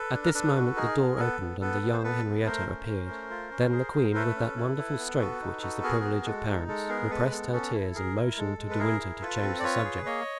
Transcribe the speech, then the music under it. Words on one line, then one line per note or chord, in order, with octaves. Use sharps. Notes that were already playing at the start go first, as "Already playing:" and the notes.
At this moment the door opened and the young Henrietta appeared; then the queen, with that wonderful strength which is the privilege of parents, repressed her tears and motioned to De Winter to change the subject.
Already playing: A4 B4
D4
A#4
D4 A4 B4
F#4
D#4 G#4 A#4
B3
B3 A4 B4
B3
B3 A4 B4
B3
C5
B3 A4 B4
B3
A3 A#4 C5
C#4
C#4
A3
F4
C#4
G#4
G#4
A3 A4 B4
C#4
E4
E4
B3
F#4
D#4
F#4
B3 G#4 A#4
F#4
G#3 A4
D#4
G#3 A4
B3 G#4 A#4
G#3 A4 B4
B3 A4
C#4 A4
E4
G#4 A#4
E4
G#3 A4
G#3
B4
E4 G#4 A#4
E4
F4 A4 B4
C4
D5
F4 B4 C#5
G#4
A#3 C#5 D#5